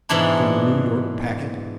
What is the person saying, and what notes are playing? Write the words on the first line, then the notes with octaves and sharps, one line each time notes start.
From the New York Packet.
G#2 B2 E3 G#3 D4 E4